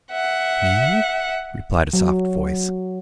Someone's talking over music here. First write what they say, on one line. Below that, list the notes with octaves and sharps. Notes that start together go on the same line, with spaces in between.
'Me?' replied a soft voice.
E5 F#5
F#3